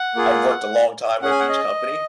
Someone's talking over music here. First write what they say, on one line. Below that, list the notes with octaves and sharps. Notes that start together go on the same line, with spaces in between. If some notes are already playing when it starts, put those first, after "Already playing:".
I've worked a long time with each company
Already playing: F#5
A#3 F4 G#4
C#4 G#4 F#5
G#5
F#5
D#5